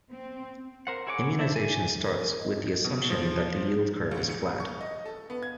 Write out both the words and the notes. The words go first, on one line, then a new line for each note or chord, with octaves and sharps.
Immunization starts with the assumption that the yield curve is flat.
C4
A#4 C5 F#5
E4 G#4 C#5 F#5 D6
D4 E4 A4 C5 E5
D5 G#5
A#4
A#4
D#5
B2
F3
A1
C#7
C#6
D#5
A4
B3
G#6